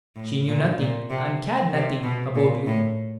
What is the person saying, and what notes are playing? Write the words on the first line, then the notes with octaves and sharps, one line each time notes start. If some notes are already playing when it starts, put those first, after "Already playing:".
She knew nothing, and cared nothing, about you.
A2
A#2
A#2
C3
C3
B2
A#2
A2